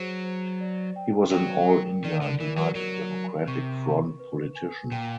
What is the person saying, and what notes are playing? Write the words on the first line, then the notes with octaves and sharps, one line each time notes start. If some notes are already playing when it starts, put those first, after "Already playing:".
He was an All India United Democratic Front politician.
Already playing: F#3 G#4 C5
C5
D5
G5
F#3 G5
A#4
D#3 D5
D3
E3 A#4
F#3
F#3 A#4
A#4
C3 C#6
C#6
B4
G#5
A#2 G5